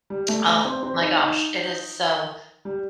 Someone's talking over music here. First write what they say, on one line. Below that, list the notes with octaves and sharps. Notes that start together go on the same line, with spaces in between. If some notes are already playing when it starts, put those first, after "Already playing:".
Oh my gosh, it is so,
G3
A3
A3
C4
C4
D#4
D#4
G3